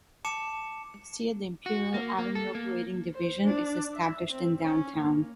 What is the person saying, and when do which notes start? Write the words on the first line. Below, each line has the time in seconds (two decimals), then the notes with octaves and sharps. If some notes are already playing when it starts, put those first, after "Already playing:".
The next year, the Imperial Avenue operating division is established in downtown.
0.25 A5 D6 C#7 E7
1.66 F#4
1.94 A#3
2.19 A#3
2.35 A4
2.55 A#3
3.14 C5
3.44 D4
3.94 E5
4.29 C4
4.60 C#4
4.96 A#3